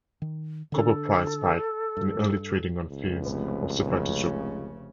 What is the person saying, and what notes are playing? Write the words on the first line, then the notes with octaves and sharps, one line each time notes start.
Copper prices spiked in early trading, on fears of supply disruption.
D#3
D3 D4 A4
G2
C#2
F1
F1 C#3